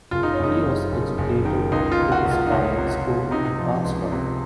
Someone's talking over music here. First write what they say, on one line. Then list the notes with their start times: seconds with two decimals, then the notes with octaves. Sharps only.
He was educated at King's College School and Oxford.
0.11 F#1 F4
0.23 D#4
0.33 C#4
0.39 F#1 D#4
0.65 F#1
0.92 F#1
1.18 F#1
1.45 D#3
1.72 C#2 D#4
1.92 F4
1.99 D#3
2.12 F#4
2.25 C#2
2.31 F4
2.46 D#4
2.51 C#2 C#4
2.78 C3
3.05 C#2
3.31 C3 D#4
3.59 F3
3.84 C#2
4.12 C3